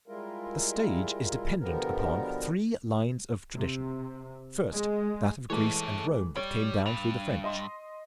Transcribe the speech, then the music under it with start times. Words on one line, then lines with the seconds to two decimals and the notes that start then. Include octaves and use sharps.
The stage is dependent upon three lines of tradition: first, that of Greece and Rome that came down through the French.
0.08 G3 G#3 E4 F4 A#4
1.60 B2 D3 F3 G3 B3 A#4
3.54 C3
4.72 G#3
5.50 E3 G#3 A3 A4 C#5
6.36 G3 C#5
6.86 G2 F7
7.44 D#5 C6